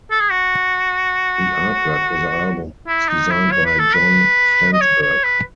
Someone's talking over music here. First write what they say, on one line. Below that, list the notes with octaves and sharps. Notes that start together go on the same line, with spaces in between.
The artwork for the album was designed by John Flansburgh.
A4
G#4
F#4
E4
D#4
E4
C#5
B4
A4
B4
D#5
C#5
C#5
B4